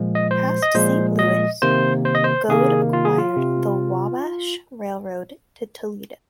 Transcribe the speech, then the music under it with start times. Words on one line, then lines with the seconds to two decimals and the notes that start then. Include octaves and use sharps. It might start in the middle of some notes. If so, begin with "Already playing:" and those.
Past Saint Louis, Gould acquired the Wabash Railroad to Toledo.
Already playing: A#2 F3 G#3
0.15 D#5
0.31 C5
0.62 D#5
0.74 A#2 F3 G#3 C5
1.19 D#5
1.62 C3 D#3 A#3 C5
2.05 C5
2.15 D#5
2.24 C5
2.49 C3 D#3 A#3 G#4
2.93 F4
3.05 G#4
3.18 F4
3.37 C3